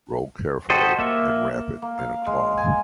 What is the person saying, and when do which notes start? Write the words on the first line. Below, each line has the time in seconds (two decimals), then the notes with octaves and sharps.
Roll carefully, and wrap it in a cloth.
0.70 F#4 G4 A4 C5 D#5
0.99 A#3 E5
1.82 A#3
1.99 F5
2.26 G#3
2.58 G#5